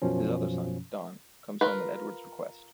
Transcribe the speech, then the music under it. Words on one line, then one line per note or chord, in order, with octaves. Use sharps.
His other son, Don, comes home at Edward's request.
F#2 B2 F3 C#4
F4 A#4 B4